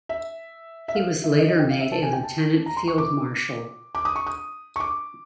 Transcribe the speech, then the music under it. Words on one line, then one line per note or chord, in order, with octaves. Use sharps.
He was later made a Lieutenant Field-Marshal.
E5
E5
F5
E5
D#5
D#5
G5
F5
E5
A5
G#5
G5
A5
A#5
C6
C#6
D6
D6
D#6
C#6
D#6
C#6
D6